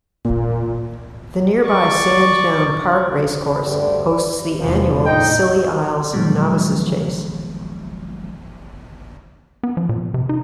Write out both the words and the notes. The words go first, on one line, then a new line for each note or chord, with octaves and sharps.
The nearby Sandown Park Racecourse hosts the annual Scilly Isles Novices' Chase.
A#2
D5 C#6
D2 G2 D3 G4 C5 D5
F1 E2 E3 F3
A2 D#4 D#5 G5
A#2 D#3 F3 F#3 G#3 B3
B3
F3
A#2
C3
D#4